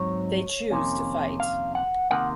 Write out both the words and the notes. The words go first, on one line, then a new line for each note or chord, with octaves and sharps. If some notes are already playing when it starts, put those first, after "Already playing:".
They choose to fight.
Already playing: G#2 F#3 C4 D#4 C#5
F2 C3 D#3 A#3 C#4
F5
F#5
C3 D#3 A#3 F#5